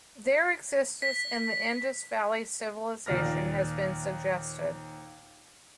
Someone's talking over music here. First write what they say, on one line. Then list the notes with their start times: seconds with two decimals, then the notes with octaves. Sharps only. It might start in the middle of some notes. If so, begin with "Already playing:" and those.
Their existence in the Indus Valley Civilization has been suggested.
1.02 B6
3.06 D#2 A#2 F3 D5 F6 A#6